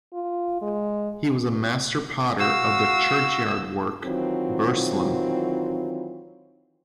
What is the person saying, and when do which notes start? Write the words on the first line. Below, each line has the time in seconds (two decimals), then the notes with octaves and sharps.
He was master potter of the Churchyard Work, Burslem.
0.13 F4
0.62 G#3
2.39 F#4 F5 E6
4.05 D#3 E3 F#3 C4 F4